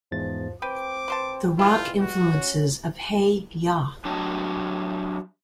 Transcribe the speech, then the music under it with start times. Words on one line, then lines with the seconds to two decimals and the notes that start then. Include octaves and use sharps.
The rock influences of Hey Ya!
0.12 E2 G#2 F3 A6
0.62 C4 B4 G5 D6
1.08 B4 C5 A5
1.59 E2 G#3 E4 F4
2.00 F#4
2.33 C#4
4.05 F#3 D4 F#4 G4 C#5 D#5